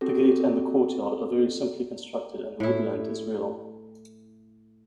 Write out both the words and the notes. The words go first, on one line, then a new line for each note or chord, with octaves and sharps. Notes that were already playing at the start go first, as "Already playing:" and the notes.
The gate and the courtyard are very simply constructed and the woodland is real.
C4 F#4 G4 A4
A2 E4